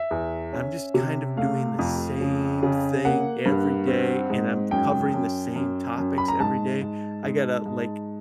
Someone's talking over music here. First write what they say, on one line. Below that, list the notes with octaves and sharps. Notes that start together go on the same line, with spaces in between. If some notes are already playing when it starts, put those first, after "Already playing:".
I'm just kind of doing the same thing every day, and I'm covering the same topics every day. I gotta, like,
Already playing: E5
E2
C#4
C3
A3 F5
F2
C#3
C#3
A#3 F#5
G2
C4
G#2
F#2 G5
F#2
F#2
F#2
B5
A#5
G#2 A5
G#2
G#2
G#2